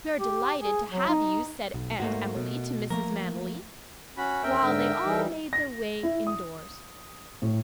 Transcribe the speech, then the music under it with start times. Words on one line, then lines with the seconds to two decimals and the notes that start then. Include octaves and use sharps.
"We are delighted to have you," said Aunt Emily to Mrs. Manily, while they all made their way indoors.
0.20 G4
0.60 G#4
0.92 F#3
1.08 D#4
1.74 B1
2.00 G#2 A3 A#3 F#4
2.36 B2
2.90 F3 A3 A#3 A#4
4.17 C#4 F#4 B5
4.43 E2 C#4 A#4 E5 G5
4.58 G#2 D3
5.03 E3 G3 D#4
5.53 A#6
6.03 E4
6.27 D#6
7.42 A2